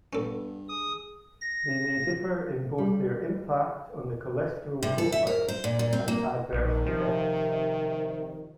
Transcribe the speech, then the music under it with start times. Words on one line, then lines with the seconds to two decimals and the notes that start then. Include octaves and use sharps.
They may differ in both their impact on the cholesterol profile and adverse effects.
0.13 G2 B3 C#4 A4
0.69 G#4 D#6
1.41 A#6
2.78 G3
4.83 C3
4.98 A4
5.12 E5
5.27 A#4
5.48 C5
5.64 A#2
5.79 A#2
5.93 C4
6.08 A#3
6.53 A#1 D#3
6.87 C3 F3